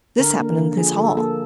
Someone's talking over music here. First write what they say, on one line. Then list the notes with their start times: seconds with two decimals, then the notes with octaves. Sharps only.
This happened in his hall.
0.19 D3 A#4
0.39 A#3
0.58 D3
0.77 F3 G#4
0.97 D3 A4
1.17 A#3 A4